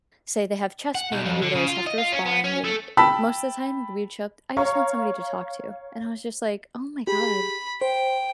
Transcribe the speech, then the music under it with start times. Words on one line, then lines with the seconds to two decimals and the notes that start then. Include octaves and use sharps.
say they have chest pain, and we would always have to respond, and i i most the time, we would show up, "I just want somebody to talk to," and I was just like, "Oh my god."
0.95 F#5
1.12 B1
1.26 F2
1.42 D3
1.55 C#3
1.67 F4
1.87 D#5
1.99 F4
2.13 C#4
2.26 B3
2.44 C#4
2.64 A3
2.97 G5 A5 B5 E6 B6
4.57 C#5 F5 A#5 C#6
7.07 G4 G#4 B5
7.81 C5 G5